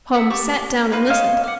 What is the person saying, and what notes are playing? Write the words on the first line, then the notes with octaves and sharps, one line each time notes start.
Holmes sat down and listened.
E5 F#5 E6
G4 A5 C#6 F#6
C4 D#4 F4 B4
C5 C#5 D#5 F5
F#5 D6 F6